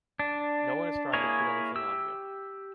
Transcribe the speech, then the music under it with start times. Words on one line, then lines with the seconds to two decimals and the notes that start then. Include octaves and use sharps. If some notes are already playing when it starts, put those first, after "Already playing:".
No one is trying to put anything on you.
0.19 D4
1.13 A#3 E4 G#4 A#4 C#5
1.75 G4 E6